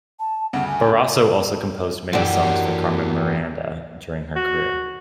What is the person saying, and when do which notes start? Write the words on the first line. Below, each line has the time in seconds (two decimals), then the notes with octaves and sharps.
Barroso also composed many songs for Carmen Miranda during her career.
0.20 A5
0.53 D2 G2 C#3 F#5
0.68 G#5
2.13 F#2 E3 D4 G4
4.36 F#4